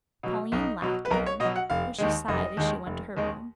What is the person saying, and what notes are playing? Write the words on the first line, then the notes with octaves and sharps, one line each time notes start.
Pauline laughed again, but she sighed as she went to her room.
B2 F#3
B1 D#4
B2 F#3
B4
B1 A#4
C#5
B2 D#5
F#3
F#5
F1 F5
D#2 D#3 G#3
F1 D#5
D#2 D#3 G#3
F1
D#2 D#3 G#3